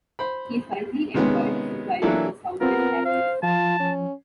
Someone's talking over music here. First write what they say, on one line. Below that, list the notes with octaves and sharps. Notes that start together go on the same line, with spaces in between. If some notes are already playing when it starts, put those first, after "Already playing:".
He is currently employed as a pilot for Southwest Airlines.
C5 B5
C3 D#3 G#3 B3 C#4
E3 F#3 A#3 D4 E4 A4
B3 C4 F4 A#4
C5 F5
F3 F4 A5
C#4